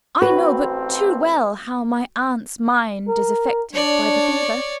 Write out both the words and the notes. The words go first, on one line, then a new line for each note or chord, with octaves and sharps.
"I know but too well how my aunt's mind is affected by the fever."
A1 C4 F#4 B4
A#4
D4 C#5 D5